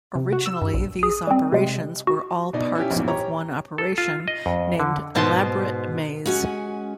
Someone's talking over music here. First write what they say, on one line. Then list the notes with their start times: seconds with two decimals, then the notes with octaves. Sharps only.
Originally, these operations were all parts of one operation named Elaborate Maze.
0.15 C3
0.33 F#4
0.46 E6
0.62 G2
0.74 A#1
0.99 G#4 D#7
1.27 G3 C4
1.52 C3 G#3
2.07 F#4
2.53 B2 D4 D#4 D5
2.75 C#4 E4 G4
2.91 A#1 E2 G#2
3.08 G4 C#5 A#5
3.78 A4
3.98 F4
4.28 D#5
4.46 F2
4.80 D3
5.15 G#2 B2 C5 A5 C6
6.26 G#3 C#4 F#4 F#5 G#5